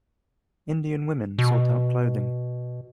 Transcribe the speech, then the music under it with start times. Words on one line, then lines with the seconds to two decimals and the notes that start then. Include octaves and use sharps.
Indian women sort out clothing.
1.38 B2